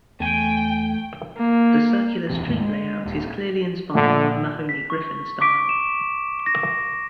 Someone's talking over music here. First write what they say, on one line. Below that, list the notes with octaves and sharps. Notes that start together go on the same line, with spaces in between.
The circular street layout is clearly inspired by Mahony-Griffin style.
E2 A3 G5 G#5
A#3
D#1 E2 C3
G#1 D#2 G#2
G#3
D#1
A#1 D3
B6
C#6
C#6 D6 B6 D7
E7
A#6